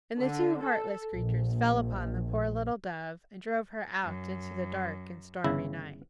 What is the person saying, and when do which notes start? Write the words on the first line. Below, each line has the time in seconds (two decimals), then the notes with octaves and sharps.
And the two heartless creatures fell upon the poor little Dove and drove her out into the dark and stormy night.
0.19 D3
0.61 A4
1.12 A#1
4.03 F#2
5.44 G1 C#3 E4